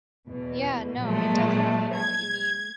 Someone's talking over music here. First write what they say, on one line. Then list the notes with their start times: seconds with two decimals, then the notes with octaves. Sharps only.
yeah, no, I definitely know what you mean,
0.27 E2 B2
1.00 A#2 F3 F#3 G#3 A3
1.94 G#6